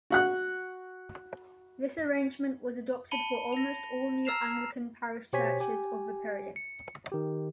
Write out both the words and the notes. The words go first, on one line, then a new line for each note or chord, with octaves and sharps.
This arrangement was adopted for almost all new Anglican parish churches of the period.
F#4 F#5 F#6
A5 B5 C#7 D#7 G7
A#6 F7
A#5 E6 F6 C7 E7 F7
B2 G4 C5 C#5 G#5 B6
G4 G#5
C#7
D#3 G4